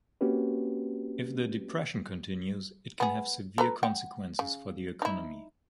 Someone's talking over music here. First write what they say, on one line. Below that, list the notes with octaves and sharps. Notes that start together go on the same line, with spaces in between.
If the depression continues, it can have severe consequences for the economy.
A#3 C4 C#4 F#4 G4 B4
B3 G#4
A4 B4 A#5
F#5 G5
C#3
D#4 E4